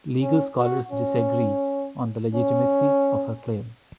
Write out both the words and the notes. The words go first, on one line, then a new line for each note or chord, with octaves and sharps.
Legal scholars disagree on the legitimacy of her claim.
C#4
F#4
C#4
C#4